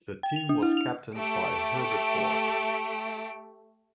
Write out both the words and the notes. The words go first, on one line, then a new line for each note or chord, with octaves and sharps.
The team was captained by Herbert Orr.
G5
F7
D4
E4
F7
A3 G4 D7